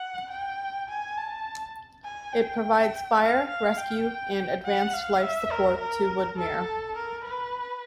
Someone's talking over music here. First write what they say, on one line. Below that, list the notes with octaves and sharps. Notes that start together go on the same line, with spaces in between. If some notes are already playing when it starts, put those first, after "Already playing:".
It provides Fire, Rescue, and Advanced Life Support to Woodmere.
Already playing: F#5
G5
G#5
A5
G#5
G5
F5
F5
G5
F#5
F5
E5
A#4
A#4
A4
A#4
B4